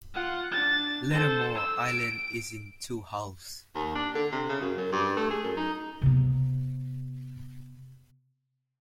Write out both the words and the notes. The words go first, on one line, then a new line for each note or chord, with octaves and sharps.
Lettermore island is in two halves.
F4 F#5
D4 A6
A4 C5
E6
D7
D#2
D4
D3
C3
C#3
F#2
F#2
G2
A3
G#4
F#2
D#4
C3 B3